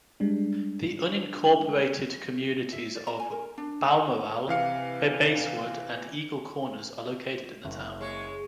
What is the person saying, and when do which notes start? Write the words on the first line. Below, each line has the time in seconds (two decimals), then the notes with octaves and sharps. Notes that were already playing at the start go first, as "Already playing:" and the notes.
The unincorporated communities of Balmoral, Basswood, and Eagle Corners are located in the town.
0.20 G3 G#3 D4
2.72 E5
2.95 D5
3.07 A#5
3.20 G#5
3.32 A#4
3.58 D4
4.48 C3 E3 F5 C#7
7.65 F#1 A#3
8.01 G#3 C#5